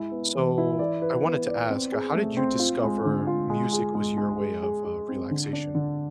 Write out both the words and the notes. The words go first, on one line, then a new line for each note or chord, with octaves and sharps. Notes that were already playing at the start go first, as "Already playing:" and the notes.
so I wanted to ask, how did you discover music was your way of, uh, relaxation?
Already playing: G#3 E4
B3
E3
E4
D5
B4
B3
D5
C4
G#4
A3
C4
F4
G#3
D3
F4
G#3
G#4
G#3
G#3
G#4
G#4
G#4
C4
D3
D4
D3